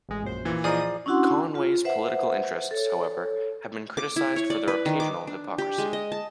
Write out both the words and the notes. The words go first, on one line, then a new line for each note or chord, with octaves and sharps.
Conway's political interests, however, have been criticized for their occasional hypocrisy.
A1 G#3
A#1 F#2 C5
A#2 E3
F3 G#4 D5 D#5 A#5 D#6
C#4 D4 E4 F#4 F#5 C6
F4
B4 C5 E5 F#5
A4 C#5
D6
E4
C#5
D5
B4
D#3
D6
D4
G4
G#3
D#5
A5